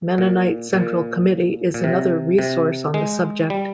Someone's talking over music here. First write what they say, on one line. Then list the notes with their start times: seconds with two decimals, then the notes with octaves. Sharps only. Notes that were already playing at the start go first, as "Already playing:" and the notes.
Mennonite Central Committee is another resource on the subject.
0.18 A#2
0.73 A#2
1.74 A#2
1.84 C3
2.39 C3
2.94 G#3
3.50 G3